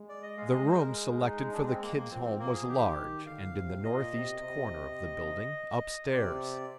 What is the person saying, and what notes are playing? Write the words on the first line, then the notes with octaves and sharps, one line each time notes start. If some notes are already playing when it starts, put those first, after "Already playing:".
The room selected for the "Kid's" home was large, and in the northeast corner of the building, upstairs.
Already playing: G#3
D5
D#5
G#3 F5
D#5
G#3 C5
A#4
D#4
D4
C4
A#3
A#3
F3 C4
C4
A#3
G#4
D#3 G4
D#3
D3 F5
C3
A#2 D#5
C3
C3
C5
C3 D5